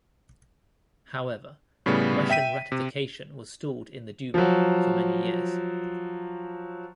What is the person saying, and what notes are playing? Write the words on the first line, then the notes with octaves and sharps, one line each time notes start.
However, Russian ratification was stalled in the Duma for many years.
A2 C#3 G3 B3
E5 G5 B6 D#7
C3
F3 F#3